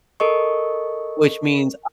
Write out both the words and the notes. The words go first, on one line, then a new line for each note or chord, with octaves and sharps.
Which means,
A4 A#4 D#5 C#6